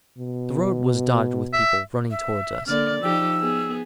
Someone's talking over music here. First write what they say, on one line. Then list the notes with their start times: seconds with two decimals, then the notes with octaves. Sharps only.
The road was dotted with people running towards us.
0.18 B2
1.53 E5
2.11 E5
2.67 D3 A#3 D5 F6
3.02 F3 D#4 G4 E6
3.40 B3 G#4